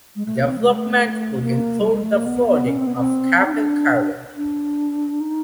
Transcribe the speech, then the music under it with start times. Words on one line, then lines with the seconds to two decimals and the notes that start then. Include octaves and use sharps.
The development would include the flooding of Capel Celyn.
0.16 G#3
0.26 A3
0.37 A#3
0.47 C4
0.58 A3
0.67 G#3
0.75 A3
1.42 A#3
1.80 G3
1.92 G#3
2.03 A3
2.15 A#3
2.26 B3
2.47 B3
2.68 C#4
2.78 C4
2.87 B3
2.96 C4
3.46 D#4
3.53 D4
4.37 D4
5.21 D#4